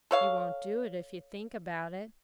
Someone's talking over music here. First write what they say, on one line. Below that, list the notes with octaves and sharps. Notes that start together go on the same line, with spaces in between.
'You won't do it if you think about it.
A4 C#5 F5